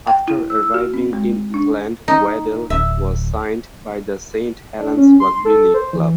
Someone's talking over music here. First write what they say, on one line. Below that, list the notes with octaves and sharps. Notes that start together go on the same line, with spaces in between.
After arriving in England Waddell was signed by the St Helens Rugby League Club.
G5
E4
E6
E6
F#4
C4
G#3
D4
D#4
D1 E5
D4
C#4
C6
A4
C5
E3